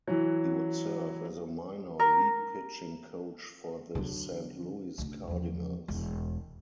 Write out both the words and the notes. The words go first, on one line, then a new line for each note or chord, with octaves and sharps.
He would serve as a minor-league pitching coach for the Saint Louis Cardinals.
E3 F#3
A#4
D3 F#3
D2 D3
E2 F3
E1 E2